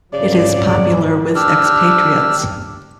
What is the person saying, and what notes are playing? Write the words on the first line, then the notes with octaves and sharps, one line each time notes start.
It is popular with expatriates.
G#1 C#3 F#3 D5
D4 G4 E6 F6